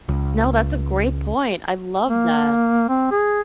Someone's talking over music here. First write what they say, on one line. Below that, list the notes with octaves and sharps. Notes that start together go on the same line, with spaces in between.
No, that's a great point, I love that.
C#2
A#3
C4
G#4